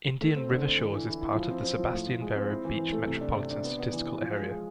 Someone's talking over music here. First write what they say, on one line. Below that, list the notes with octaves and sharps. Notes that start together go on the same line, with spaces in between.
Indian River Shores is part of the Sebastian-Vero Beach Metropolitan Statistical Area.
A3
C4
D3
D3
E3
E3
E4
E4
F3
C4
C4
F3
A2
A2
G#3
C4
E4
E3
E3
A3
C3
D4
C3
D4
B3
B3
E3
E3
F3
G#3
G#3